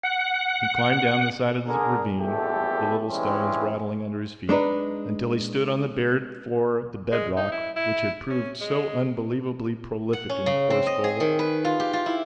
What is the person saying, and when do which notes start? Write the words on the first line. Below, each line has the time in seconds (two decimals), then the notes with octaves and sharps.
He climbed down the side of the ravine, the little stones rattling under his feet, until he stood on the bared floor of the bed rock which had proved so unbelievably prolific in coarse gold.
0.03 F#5
1.67 D3 G#4 A#4
2.18 G#1 E2 B2 A3 G4 A4
3.09 G2 E3 G#3 C4 C#4 E4
4.49 G#3 D4 D#4 B4
7.12 G#3
7.37 D#4
7.52 E4
7.76 E4
8.29 C#4
8.61 G#3
10.13 F#5
10.29 C#4
10.46 C#3
10.70 C4
10.86 D#5
11.04 G#4
11.20 D#3
11.39 B4
11.65 F4
11.80 G4
11.93 F4
12.06 E4